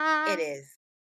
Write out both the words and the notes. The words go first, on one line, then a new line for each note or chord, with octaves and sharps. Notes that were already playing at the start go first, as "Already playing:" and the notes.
It is.
Already playing: D#4